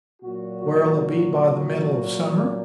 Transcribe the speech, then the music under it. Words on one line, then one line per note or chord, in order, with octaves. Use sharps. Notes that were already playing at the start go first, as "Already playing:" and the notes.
Where'll it be by the middle of summer?
A#2 F#3 F#4
F#4